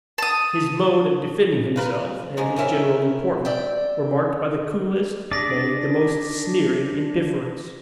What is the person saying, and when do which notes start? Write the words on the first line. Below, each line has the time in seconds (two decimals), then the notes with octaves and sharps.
His mode of defending himself, and his general deportment, were marked by the coolest, nay, the most sneering indifference.
0.18 A5 D#6
1.76 A#4 B4 F5
2.37 F3 G#3 A#3
2.56 C4 C#4 E4 A#4 E5
3.45 D5 E5 G5
5.31 D4 G#4 D5 D6 A#6 B6